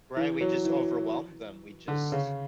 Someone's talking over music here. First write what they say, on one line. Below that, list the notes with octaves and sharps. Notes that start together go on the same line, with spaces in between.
Right, we just overwhelmed them, we just
E3
F#3
E3
D3
C#3